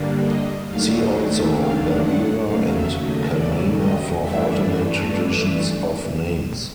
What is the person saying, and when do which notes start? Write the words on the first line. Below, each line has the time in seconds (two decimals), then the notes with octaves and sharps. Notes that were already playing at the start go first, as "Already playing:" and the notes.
See also: Balbira and Kalmana for alternate traditions of names.
Already playing: G2 D3 G3 A#3 D4
0.23 D#5
0.68 D#2 D#3 F#3 A3 D4 F5
0.98 D#5
1.27 E5
1.57 F5
2.00 F#5
2.45 D#2 C#3 F#3 A3 F5
2.74 E5
3.03 D#5
3.33 D5
3.77 D#5
4.22 G2 E3 A3 D4 E5